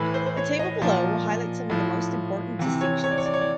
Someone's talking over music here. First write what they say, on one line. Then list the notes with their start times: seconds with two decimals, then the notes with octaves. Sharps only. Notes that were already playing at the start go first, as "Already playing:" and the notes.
A table below will highlight some of the most important distinctions.
Already playing: A2 E3 B4
0.14 C5
0.26 C5
0.37 C#5
0.59 D#5
0.82 A#2 F3
1.70 A2 F3
2.59 C3 E3
2.81 C#5
3.04 C#5
3.11 D5
3.18 C#5
3.26 D5
3.34 C#5
3.41 D5